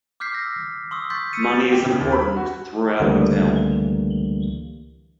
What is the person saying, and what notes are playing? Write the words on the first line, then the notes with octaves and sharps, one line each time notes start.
Money is important throughout the film.
D6 F6 G6 B6 C7
E6 A#6
C6 C#6 D#6 E6
C6 C#6 D#6 G6 A6 B6
E6 G6 A6 B6 C#7 D#7
G4
C#3
D#2
B5
F#4
C#2 D3 E3 G3 A3 A#3